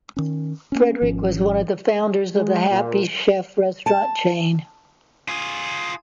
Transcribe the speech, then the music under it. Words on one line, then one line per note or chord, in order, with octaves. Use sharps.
Fredrick was one of the founders of the Happy Chef restaurant chain.
D#3 C#4
A#3 C#4
G#1 F3 C#4
G#3
A#2
A5
F4 G#4